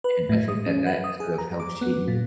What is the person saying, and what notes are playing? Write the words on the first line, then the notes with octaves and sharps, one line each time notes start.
and I think that that sort of helped shape me in
B4
A2
D#6
C#4
B4
D#6
G#4
A#5
D6
B3
A#2